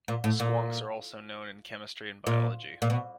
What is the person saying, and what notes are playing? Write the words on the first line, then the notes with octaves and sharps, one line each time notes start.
Squonks are also known in chemistry and biology.
A#2
A2
A#2
A#2
A#2
B2